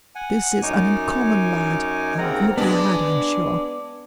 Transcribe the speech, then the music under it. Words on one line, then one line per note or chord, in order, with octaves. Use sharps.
'This is an uncommon lad; a good lad, I'm sure.'
F#5 G#5
F#2 D#4 C#5 G#5 D6
D#2 C#3 C4 A#4 F#5 A#5
G#3 B3 D4